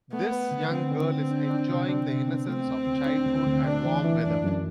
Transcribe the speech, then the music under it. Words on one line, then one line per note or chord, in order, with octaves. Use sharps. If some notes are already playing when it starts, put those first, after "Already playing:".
This young girl is enjoying the innocence of childhood and warm weather.
A3 B3
B4
D3
D3 C4
D3
D3
D4
D4
C3
D4
C3
B3
A3 C4
D2
D2
D4
D2
D2
A3 D4
E3
E3
F#2 D4
F#2